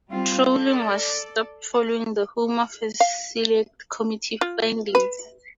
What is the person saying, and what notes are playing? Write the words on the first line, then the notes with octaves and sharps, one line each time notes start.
Trawling was stopped following the Home Affairs Select Committee findings.
G3 C4 F4
A4 D5
F5
F4
B4